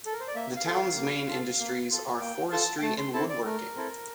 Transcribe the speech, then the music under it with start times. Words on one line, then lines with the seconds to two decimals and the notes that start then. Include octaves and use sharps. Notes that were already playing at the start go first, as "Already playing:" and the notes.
The town's main industries are forestry and woodworking.
0.06 A4
0.13 A#4
0.20 C5
0.28 D5
0.35 A#3 E5
0.56 F5
0.66 F4 A4
0.76 F5
0.97 A#3
1.28 F4 A4
1.59 A#3
1.91 F4 A4
2.21 A#3 G5
2.52 F4 A4 A5
2.78 G5
2.82 A3 A5
2.98 C6
3.13 C4 E4 A4 A5
3.29 D5
3.45 A3 A#4
3.76 C4 E4 A4